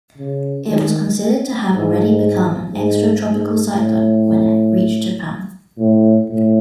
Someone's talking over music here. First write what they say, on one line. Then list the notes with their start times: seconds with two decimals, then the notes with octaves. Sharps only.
It was considered to have already become an extratropical cyclone when it reached Japan.
0.17 C#3
0.68 D#3
1.70 G#2
2.73 G#2
3.23 G#2
3.74 A2
5.78 A2
6.30 A2